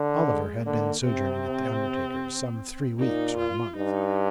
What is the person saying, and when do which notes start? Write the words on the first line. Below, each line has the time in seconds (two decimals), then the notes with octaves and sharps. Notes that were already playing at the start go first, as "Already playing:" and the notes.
Oliver had been sojourning at the undertaker's some three weeks or a month.
Already playing: D3
0.27 G#3
0.66 D3 A#3
1.04 C3 C4
2.99 A#2 D#4
3.38 F4
3.77 G2 D#4